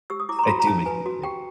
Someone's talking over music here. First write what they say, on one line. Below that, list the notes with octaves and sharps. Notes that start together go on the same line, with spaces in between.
I do make mistakes.
G4 E6
D#6
E4 D6
A#5
C6
F#4 B5
A#5
C#4 A5
B4 G#5
F#4
G4 G5